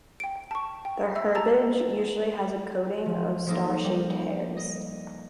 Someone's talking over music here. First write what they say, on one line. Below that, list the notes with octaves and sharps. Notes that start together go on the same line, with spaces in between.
The herbage usually has a coating of star-shaped hairs.
G5 D7
A5 C#6
G5
E5 E6
A5 A#5 E6 A6
F3
F3 G#3 A#3 D#4 A4
G3
D#5